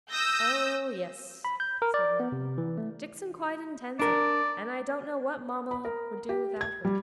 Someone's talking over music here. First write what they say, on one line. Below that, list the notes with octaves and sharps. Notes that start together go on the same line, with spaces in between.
'Oh, yes!' said Margaret. 'Dixon quite intends it, and I don't know what mamma would do without her.'
D#6 E6 G6 A#6
B5
G6
A#4
D5
B3
C3
E3
A3
D4 A#4 D5
B5
A#4
G4
G#6
G3